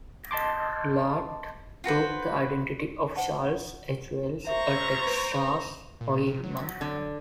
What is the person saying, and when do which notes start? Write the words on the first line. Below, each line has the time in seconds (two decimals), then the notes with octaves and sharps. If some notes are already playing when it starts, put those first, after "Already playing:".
Bullard took the identity of "Charles H. Wells", a Texas oilman.
0.31 D#5 A5 C6 D6
1.84 F4 F#4 B4 C5
3.16 C5 F#5 A5
4.47 G4 A#4 C5 E5 A#5 C#6
5.06 B4
6.01 A#2
6.27 C3
6.44 F#3
6.81 D3